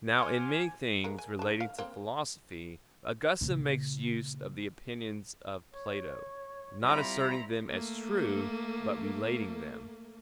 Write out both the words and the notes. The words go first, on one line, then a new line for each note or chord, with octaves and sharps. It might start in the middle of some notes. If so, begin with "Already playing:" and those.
Now in many things relating to Philosophy Augustine makes use of the opinions of Plato, not asserting them as true, but relating them.
C5 F#5 G#5 D6 F6
G#3 A#3
G#5
D3 A5
F5
A#3 C4
A#2 C#3
C#5
G3 C4 E4 F4 C5 A#5 B5
A3 A#3